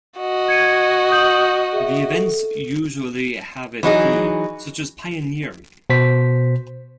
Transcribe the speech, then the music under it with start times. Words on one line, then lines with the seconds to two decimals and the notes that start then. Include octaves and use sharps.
The events usually have a theme, such as pioneering.
0.19 F#4 D#5
0.48 G#6 C#7 D#7
1.10 D#6 G6 F#7
1.73 G#4 E5
2.13 A4
3.83 E3 F#3 D#4 G#4
5.90 B2 C5 B6